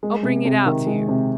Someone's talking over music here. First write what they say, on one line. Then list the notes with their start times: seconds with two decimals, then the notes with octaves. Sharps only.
I'll bring it out to you.
0.03 G#3
0.23 C3
0.45 C3
0.66 D#3
0.87 G#3
1.08 C3